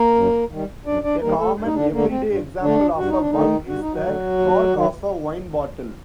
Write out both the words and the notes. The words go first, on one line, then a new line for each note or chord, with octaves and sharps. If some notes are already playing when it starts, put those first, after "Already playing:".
A common every-day example of a bung is the cork of a wine bottle.
Already playing: A#3 A#4
F#2
D#3 G3
F#2 D4 D5
D4 D5
D#3 G3 A#3 A#4
A3 A4
G2
D#4
D3 D4
D3 A3 A#3
C4
G2
D3 A3 D4
G2 F#4
D#4
D4
D3 D#3 A3 D#4
G2 F#4
D#4
F#3 F#4
D3 A3
D#2
D#3 F#3